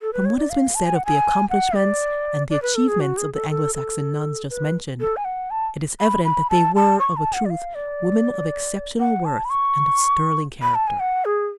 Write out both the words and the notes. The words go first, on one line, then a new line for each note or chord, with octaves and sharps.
From what has been said of the accomplishments and achievements of the Anglo-Saxon nuns just mentioned, it is evident that they were, of a truth, women of exceptional worth and of sterling character.
A4
B4
C#5
D5
F5
A5
G#5
F#5
G#5
F#5
D5
D5
B4
A4
G#4
F#4
G#4
A4
A4
A4
B4
A4
G#5
F#5
A5
B5
B5
A5
A5
C#6
A5
F#5
D5
F5
D5
F#5
A5
B5
C#6
B5
A5
G#5
F#5
G#4